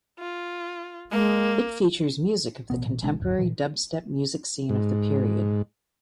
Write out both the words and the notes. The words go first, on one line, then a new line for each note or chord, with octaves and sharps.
It features music of the contemporary dubstep music scene of the period.
F4
G#3 A#3
A1 B2 B3
A1 A#2
A1 C3 G#3 D4
D1 G1
A#2 E3
G#2